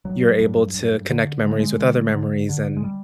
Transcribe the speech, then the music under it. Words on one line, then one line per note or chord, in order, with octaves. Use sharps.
you're able to connect memories with other memories, and,
G2 F#3
G2
G2
D3
D3 G#3
A3
G#3
D3
D3
D3
G#3
G3